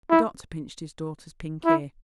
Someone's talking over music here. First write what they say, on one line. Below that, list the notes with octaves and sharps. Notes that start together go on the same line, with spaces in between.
The doctor pinched his daughter's pink ear.
E4
E4